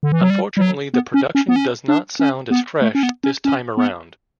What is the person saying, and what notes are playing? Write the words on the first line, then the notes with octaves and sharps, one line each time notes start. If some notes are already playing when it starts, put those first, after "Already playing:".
Unfortunately the production does not sound as fresh this time around.
D3
E3
F#3
G3
G3
F#3
B3
C#4
C#4
B3
C#4
D4
C#4
B3
A3
C#4
B3
C#4
C#4
B3